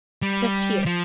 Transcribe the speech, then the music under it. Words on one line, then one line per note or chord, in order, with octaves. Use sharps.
Just here.
G3
F3